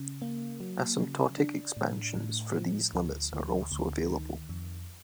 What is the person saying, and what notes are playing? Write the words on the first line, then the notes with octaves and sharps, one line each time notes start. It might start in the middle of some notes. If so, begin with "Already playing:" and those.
Asymptotic expansions for these limits are also available.
Already playing: C#3
A#3
F#3
C#3
D4
A2
A2
F3
D2
D2
D2
D#3
F2